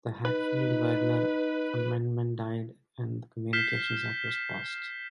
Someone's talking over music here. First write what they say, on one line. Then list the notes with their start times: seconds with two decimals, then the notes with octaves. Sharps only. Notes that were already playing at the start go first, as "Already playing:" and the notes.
The Hatfield-Wagner amendment died and the Communications Act was passed.
0.25 D#4 B4
3.53 F6 G6 B6 C7 E7